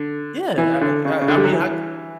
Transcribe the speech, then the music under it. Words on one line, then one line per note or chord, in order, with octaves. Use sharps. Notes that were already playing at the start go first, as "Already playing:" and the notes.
Yeah, I I I mean, I
Already playing: D3
E3
D3
C#3
C#3
D3
G3
F#3
E3